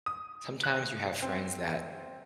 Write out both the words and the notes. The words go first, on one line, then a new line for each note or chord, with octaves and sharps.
sometimes you have friends that
D#6
F#6
C4